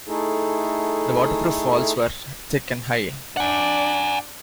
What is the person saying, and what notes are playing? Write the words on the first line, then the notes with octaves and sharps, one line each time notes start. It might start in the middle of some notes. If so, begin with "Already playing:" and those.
The waterproof walls were thick and high.
A3 D#4 E4 G#4 A4
D4 D5 F#5 G#5